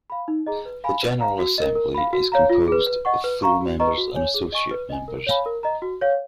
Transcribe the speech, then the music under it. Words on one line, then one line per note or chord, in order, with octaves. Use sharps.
The General Assembly is composed of full members and associate members.
F5 B5
D#4
G#4 D#5 A#5
B4
F5 G#5 B5
B4
F5 A#5
F#4
A#4 D#5
A#4
F5 B5
F#4
C#5 F5 A#5
F4
G#4 B4
B4
D#5 F#5 C#6
B4
F5 A#5 C#6
F#4
B4 D#5 A#5 C#6
F#4
C#5 G#5
G#4
D#5 G#5 C#6
B4
D#5 G#5
A#4
C#5 F5 G#5 B5
A#4
D#5 A#5
F#4
C#5 F5